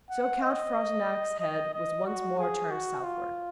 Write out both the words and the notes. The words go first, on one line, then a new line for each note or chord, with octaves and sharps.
So Count Frontenac's head was once more turned southward.
F#5
D#5
D#5
D#5
F#4
G#4
F#4
F4